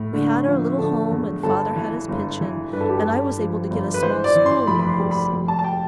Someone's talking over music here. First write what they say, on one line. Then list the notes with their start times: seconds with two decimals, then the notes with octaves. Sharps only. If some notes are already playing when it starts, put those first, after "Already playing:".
We had our little home and father had his pension, and I was able to get a small school near us.
Already playing: A2
0.14 D3
0.46 F3
0.78 D3 A4
1.11 E2
1.43 G1 A4
1.76 E3
2.08 G1
2.41 E3
2.73 G2 B4
2.81 A4
2.89 G4
2.98 A4
3.05 G2
3.38 F3
3.70 G1
3.94 B4
4.03 E3 C5
4.24 D5
4.35 E3
4.46 C6
4.67 F1 B5
4.79 B5
4.89 C6
5.00 G3
5.11 B5
5.32 F1
5.48 A5
5.59 A5
5.64 G5